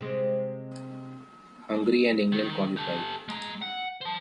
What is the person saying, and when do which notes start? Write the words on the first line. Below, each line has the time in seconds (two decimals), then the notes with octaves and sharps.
Hungary and England qualified.
0.01 C3 G#3
2.32 D#3
2.77 G4 A4
3.28 G#3 A#5
3.62 F#5
4.01 C5 A5